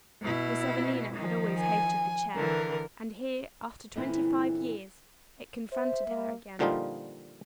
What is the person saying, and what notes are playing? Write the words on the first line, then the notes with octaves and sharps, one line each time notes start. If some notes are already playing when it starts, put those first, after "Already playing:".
Miss Evelina had always hated the chair, and here, after twenty-five years, it confronted her again.
B2 E4
D#3 F3
G#5
D3 E3 A#4
A#2 D3 E3 C4 E4
C5 E5
A#3
A#2 D3 F3 G3 D#4 F4